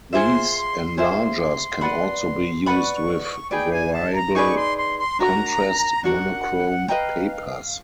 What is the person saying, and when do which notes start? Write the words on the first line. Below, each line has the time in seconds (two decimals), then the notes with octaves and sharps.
These enlargers can also be used with variable-contrast monochrome papers.
0.13 F4 G#4 C5 E5 C6
0.97 F4 G#4 C5 E5 C6
1.81 B4 D5 F#5 B5
2.66 B4 D5 F#5 B5 C#6
3.50 D#4 G#4 B4 D5 G5
3.72 G#5
3.93 A5
4.14 A#5
4.35 D#4 G#4 B4 D5 C#6
4.56 C6
4.77 C6
4.98 C6
5.19 D4 F#4 A#4 A#5
6.04 D4 F#4 A#4 F#5
6.88 B4 D#5 F5 G5 A#5